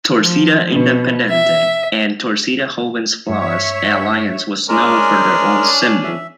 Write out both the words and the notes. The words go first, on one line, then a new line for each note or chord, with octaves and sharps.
"Torcida Independente" and "Torcida Jovem Fla"'s alliance was known for their own "symbol".
F3
B2
E5
G2 C#5 E5
G#3 C#4 D4 A#4
E5